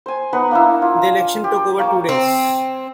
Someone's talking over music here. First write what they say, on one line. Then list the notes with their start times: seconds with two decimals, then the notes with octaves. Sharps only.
The election took over two days.
0.06 C5 G#5
0.33 B3 D#4 B4 F#5
0.51 A#3 D4 E4
0.82 F4
1.44 G4
1.79 A#3 C#5 D6
2.09 C4